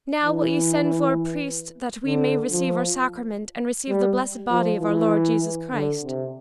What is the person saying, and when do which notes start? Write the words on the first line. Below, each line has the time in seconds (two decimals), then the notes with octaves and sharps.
Now, will ye send for a priest, that we may receive our sacrament, and receive the blessed body of our Lord Jesus Christ?
0.22 E3
2.06 D3
2.52 F3
3.90 G3
4.50 F3
4.80 E3
5.72 D3
6.03 C3